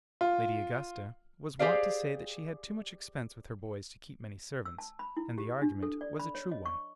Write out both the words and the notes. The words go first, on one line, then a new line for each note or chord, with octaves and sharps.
Lady Augusta was wont to say that she had too much expense with her boys to keep many servants; and the argument was a true one.
F4
G4 G#4 C5 D5 F5
E6
A5
B5
E4
G4
D4
A4
D5
B5
C#5
D#5
C#6